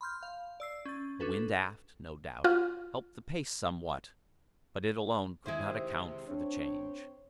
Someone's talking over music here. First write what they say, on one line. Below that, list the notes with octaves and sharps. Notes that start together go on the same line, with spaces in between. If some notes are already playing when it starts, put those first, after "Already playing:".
The wind aft, no doubt, helped the pace somewhat, but it alone could not account for the change.
B5 C6 F6 G6
F5
D5 E6 C7
C#4 A6
C#4 D4 F#4 A4 B4
F4 F#4
C3 D#3 G#3 E4 C5
C4 D4 C#5